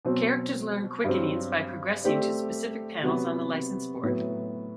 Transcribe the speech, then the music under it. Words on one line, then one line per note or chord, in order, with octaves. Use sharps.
Characters learn Quickenings by progressing to specific panels on the License Board.
B2 F#3 C4
G2 F#3 C4
A3 C4 G4 D5
C3 F#3 B3 F#4
A2 F#3 B3 E4 B4